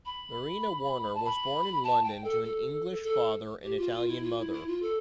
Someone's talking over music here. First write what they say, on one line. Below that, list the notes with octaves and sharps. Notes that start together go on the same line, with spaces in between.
Marina Warner was born in London to an English father and Italian mother.
B5
A5
B5
A5
G5
A4
A4
A4
G4
F4
F4
E4
F4
E4
E4
F4
A4